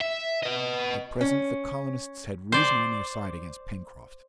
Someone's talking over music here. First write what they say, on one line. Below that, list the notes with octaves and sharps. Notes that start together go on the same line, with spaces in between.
At present, the colonists had reason on their side against Pencroft.
E5
B4 D#5
C#4
C5 D5